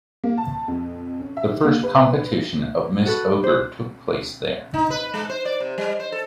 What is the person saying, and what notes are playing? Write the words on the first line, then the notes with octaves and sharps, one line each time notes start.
The first competition of "Miss Ogre" took place there.
A#3
A5
F2
C#4
E5
D#3
A#3
B4
F#4 A4 B4
G4 C5
D#4
B4
G#3
C5
D5
C3
G3
C5
A4